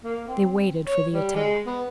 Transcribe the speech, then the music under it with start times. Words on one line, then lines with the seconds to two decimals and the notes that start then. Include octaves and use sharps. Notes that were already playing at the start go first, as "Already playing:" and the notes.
They waited for the attack.
0.04 A#3
0.28 C4
0.87 C#5
1.14 G3
1.35 G#3
1.66 B3